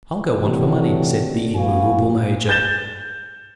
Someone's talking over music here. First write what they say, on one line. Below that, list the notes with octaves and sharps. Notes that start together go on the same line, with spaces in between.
"I'll go on for money," said the immovable major.
C3 E3 F#3 A3 D4 G4
A2 F3 B3 F#4 F5 G#5
G6 A6 E7 G7